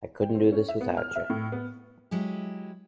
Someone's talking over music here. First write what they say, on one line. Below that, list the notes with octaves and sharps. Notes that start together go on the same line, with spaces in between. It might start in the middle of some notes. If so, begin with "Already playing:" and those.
I couldn't do this without you.
G5
C4
C#4
E5
B3
F6
E5
A2
B3
F#3 G#3 E4 G4